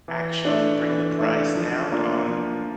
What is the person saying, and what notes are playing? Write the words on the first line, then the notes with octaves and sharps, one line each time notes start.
actually bring the price down on
E3
A3 D4
E3
A3 D4
F3
A#3 D4 F4
F3